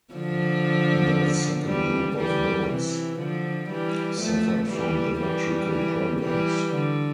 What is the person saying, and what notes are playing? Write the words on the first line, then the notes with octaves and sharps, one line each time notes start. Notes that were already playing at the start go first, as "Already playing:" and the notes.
The second group of boats suffered from electrical problems.
D3 F3
E3 G3
E3 G3
C3 E3
D3 F3
E3 G3
F3 A3
E3 G3
E3 G3
E3 G3
D3